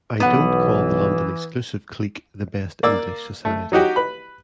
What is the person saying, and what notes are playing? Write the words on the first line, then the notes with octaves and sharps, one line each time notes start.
I don't call the London exclusive clique the best English society.
B1 E3 B3 F#5
A#3 D5 D6 E6
A3
F#3 D#4 F#4 G4
B4 B5